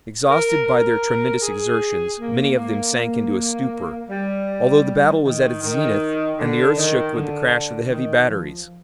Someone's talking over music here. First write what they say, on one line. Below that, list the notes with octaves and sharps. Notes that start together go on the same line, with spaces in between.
Exhausted by their tremendous exertions, many of them sank into a stupor, although the battle was at its zenith and the earth shook with the crash of the heavy batteries.
A#4
A#4
G#4
A#3
A#3
A#3
G3
D#3
D#3
D3
D#3
D3
D#3
F3